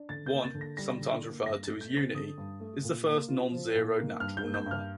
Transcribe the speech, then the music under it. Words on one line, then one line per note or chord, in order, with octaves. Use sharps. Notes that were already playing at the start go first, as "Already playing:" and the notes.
One, sometimes referred to as unity, is the first non-zero natural number.
Already playing: D4
D3 A6
G6
A#3
A6
D3
A#6
G3 A#6
D3
A#3
G2 A#6
A6
A3
G6
C4
A6
D3 D#6
G2
A3
A#2
A#3
F4
F3
A#2
A#3
G2 F6
G6
A#3
G6
G2
F6